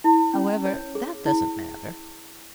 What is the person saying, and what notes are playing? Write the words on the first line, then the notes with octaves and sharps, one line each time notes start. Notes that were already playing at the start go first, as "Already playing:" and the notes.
However, that doesn't matter.
E4
C#4
C#5
G#4
E4